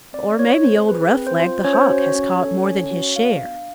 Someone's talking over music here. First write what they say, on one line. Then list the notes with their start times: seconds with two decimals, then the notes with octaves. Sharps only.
Or maybe old Rough-leg, the Hawk, has caught more than his share.
0.13 C4 D5
0.39 F4 C#5
0.64 C4 C5
0.89 G#4 B4
1.14 C4
1.27 C5
1.40 F4
1.64 C#4 C#5
1.73 C5
1.82 C#5
1.90 F#4
2.15 C#4
2.41 A4
2.65 C#4
2.91 F#4
3.16 B3 F5
3.41 D4